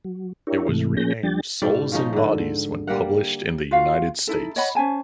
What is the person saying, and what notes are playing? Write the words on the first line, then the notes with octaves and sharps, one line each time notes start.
It was renamed Souls and Bodies when published in the United States.
F#3
D4 E4 G4 A#4 C#5
G#2 C3 E3 A3
F3 A#3 C#4 G#4 G6 A#6
F3 G3 D4 G5 A6
G#2 B2 D5 G5
C#3 F3 C#4 D#4
G#2 D3
G3 A#3 A#4 F#5
F4 F#4 F5
D#4 E4 A4
C#5 D#5 F#5 B5
C#4 C5 G#5 A5